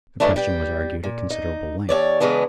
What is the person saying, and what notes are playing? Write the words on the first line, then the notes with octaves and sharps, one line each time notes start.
The question was argued at considerable length.
D#3 E3 F#3 A3 D4
G3 G5
A#2
D#4
D#2 C#5 D5
C#3 E3 G#3 B3 D4